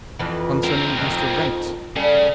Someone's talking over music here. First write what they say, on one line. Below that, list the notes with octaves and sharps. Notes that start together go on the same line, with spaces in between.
"Concerning Mr. Wrent."
F2 E3
C4 A#4
F2 D#3
C#3 G3 A4